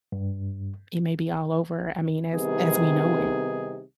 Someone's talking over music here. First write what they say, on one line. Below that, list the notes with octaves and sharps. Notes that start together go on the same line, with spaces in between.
it may be all over, I mean, as as we know it.
G2
C2 C3 D#3 B3 D#4 G#4